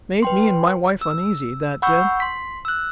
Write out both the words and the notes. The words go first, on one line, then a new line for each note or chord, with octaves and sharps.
Made me and my wife uneasy, that did.
B4 G5 C6
E6
F#5 B5 C#6 E6 G6
C6 B6
E6 F#6